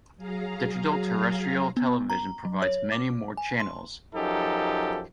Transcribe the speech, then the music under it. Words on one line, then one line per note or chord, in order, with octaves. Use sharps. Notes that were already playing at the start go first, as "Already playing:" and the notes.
Digital Terrestrial Television provides many more channels.
F#3 G#4 F5 A#5
B3
A#5
F#3
C#5
D6
G#5
C6
F#2 F3 D#4 G4 A4